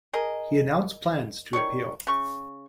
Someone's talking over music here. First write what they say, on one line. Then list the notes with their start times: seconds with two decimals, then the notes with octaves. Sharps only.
He announced plans to appeal.
0.13 G#4 A#4 D#5
1.53 D#3 C#5 D5 C#6
2.07 C#3 C#6